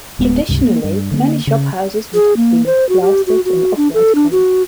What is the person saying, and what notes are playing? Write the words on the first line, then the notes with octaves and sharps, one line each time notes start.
Traditionally, many shophouses would have been plastered an off-white colour.
D1 G#3 B3
C#2 G2 C3
A#3
G2
D3 A3 A#3
C#3
G#4
A#3
C5
F#4
G4
F#4
F#4
D4
A4
D4
F#4